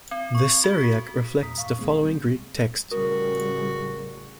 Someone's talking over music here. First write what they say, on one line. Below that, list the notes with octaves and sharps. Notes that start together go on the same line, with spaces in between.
The Syriac reflects the following Greek text.
C4
C#6
F#4
B6
E2 A#2 A#5 D#6 B6
G#2 F5 C#6
C2 G2 B2 G#3 A#3 C4
A1 C3 G3
A1 C#3 G3 F#4 A#4